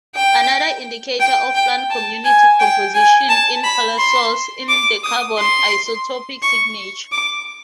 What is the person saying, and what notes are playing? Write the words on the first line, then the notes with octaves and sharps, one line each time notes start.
Another indicator of plant community composition in paleosols is the carbon isotopic signature.
G5
G5
G5
A5
G#5
G5
G#5
A5
B5
C6
D6
D#6
C6
C#6
D6